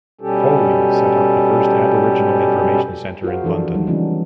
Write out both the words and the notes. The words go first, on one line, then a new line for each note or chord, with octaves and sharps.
Foley set up the first Aboriginal Information Centre in London.
B2 G3 C#4 G4 A4
F4 F#4 G#4 A#4 C5 F5
E3 F3 D4 A4
D#3 F#3 G3 D#4
C#3 E3 G#3 C#4 D4 F#4